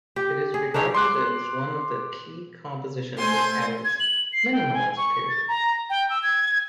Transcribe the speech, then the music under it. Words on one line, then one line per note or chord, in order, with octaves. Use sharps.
It is regarded as one of the key compositions of Adams' "minimalist" period.
G4
G#4
D4 D#4 G#4 C#5
C6 D6 F#6
A3 C5 G#5 C6
G#6
F#7
C7
G5
G#5
C#6
A6
A#5
G5
E6
G#6